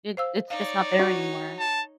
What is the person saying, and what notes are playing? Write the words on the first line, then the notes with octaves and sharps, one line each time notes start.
It it's just not there anymore.
C5 F5 E6
D#4 C#5 D5 F5
F#4
A5